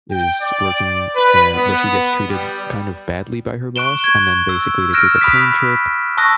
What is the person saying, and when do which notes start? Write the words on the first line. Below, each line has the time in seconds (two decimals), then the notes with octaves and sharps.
is working and but she gets treated kind of badly by her boss, and then, basically, they take a plane trip,
0.11 G5
0.42 D5
1.15 B4
1.54 B3
2.28 G3
3.76 C#6 F#6 D7 E7 G7
4.03 C#6 G#6
4.49 E6
4.93 F6 F#6 A#6 D7 E7
5.21 B5 D#6 B6
6.17 A5 C#6 D#6 E6 F#6 A#6